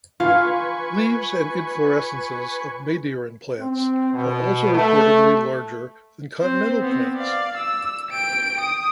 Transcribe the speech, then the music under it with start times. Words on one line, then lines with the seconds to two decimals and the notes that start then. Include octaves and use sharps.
Leaves and inflorescences of Madeiran plants are also reportedly larger than continental plants.
0.20 F4 B4 F5 G#5 C#6
3.59 C4
4.12 B2
4.73 A3
6.41 C4 C5
6.82 B3 C4
7.16 D5 F5
7.57 E6
8.11 G5 D7
8.60 D#6